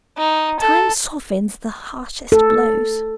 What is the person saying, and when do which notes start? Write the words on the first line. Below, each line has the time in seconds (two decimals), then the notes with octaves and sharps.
'Time softens the harshest blows.
0.17 D#4
0.60 A4
2.32 A4